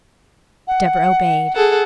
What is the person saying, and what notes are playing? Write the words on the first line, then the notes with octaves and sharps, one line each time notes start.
Deborah obeyed.
F#5
G#4 A4 F#5